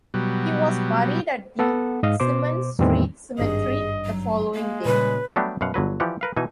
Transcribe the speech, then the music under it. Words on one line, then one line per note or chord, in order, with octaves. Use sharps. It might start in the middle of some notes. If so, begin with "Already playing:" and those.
He was buried at the Symonds Street Cemetery the following day.
B2 F#3 G3
B3 A4 F#5
G#2 D#5 F5
B2 C5 D6
E2 A2 D#3 E3 G3 C4
G#1 G2 G#4 D#5
F#3
G#3 A#3
A#2 C#3 G3 B4
F#3 G3 A3 B3 D4 G4
F#2 B2 F5 F#5
G1 D3 F#3 B4
E3 F3 G4 D5 F#5
A#4 B4 F5
B2 E3 D#4 G#5